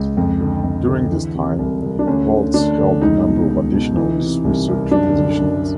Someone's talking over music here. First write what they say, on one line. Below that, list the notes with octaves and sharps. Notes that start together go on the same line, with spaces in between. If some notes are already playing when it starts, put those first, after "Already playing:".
During this time, Waltz held a number of additional research positions.
Already playing: C#2
F2
D3
F2
D3
E3
C3
C2
C2
D4
D2 C#4
D3
D2 D4
D3
C#2 D#4
B2
C#2
B2
E3
C3
C2
C2
F#2 D4
D3
F#2